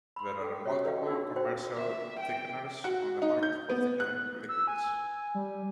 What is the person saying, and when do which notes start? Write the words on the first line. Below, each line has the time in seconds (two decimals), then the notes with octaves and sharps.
There are multiple commercial thickeners on the market for thickening liquids.
0.16 B5 C6
0.41 A4 G5
0.65 C#4 F#4 G4 C#5
0.84 A4 B4 D5 D#5 F5 G5
1.06 D4 D#4 A#4
1.36 F#4 C5 D5 G5
1.78 E5
2.20 G5
2.84 F#4
3.22 D#4
3.43 G6
3.70 B3
4.00 F#6
4.49 E6
4.67 G#5
5.35 G3